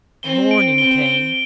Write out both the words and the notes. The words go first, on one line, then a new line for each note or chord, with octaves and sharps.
Morning came!
C4 G7
D7
C4 G7
G7